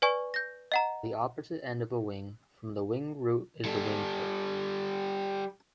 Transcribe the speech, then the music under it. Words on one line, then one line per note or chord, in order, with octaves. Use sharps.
The opposite end of a wing from the wing root is the wing tip.
B4 D5 G#5 C#6
G6 A#6
D#5 F#5 A#5
G3 A4